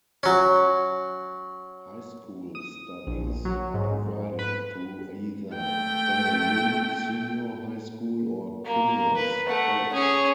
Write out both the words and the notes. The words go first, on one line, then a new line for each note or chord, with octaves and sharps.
High School studies are provided through either Wanneroo Senior High School or Kinross College.
F#3 C#4
D#6
A#1
F#3
G#2
B4
A3 G5
A#3
B4
A3 F#5
C#4 G#4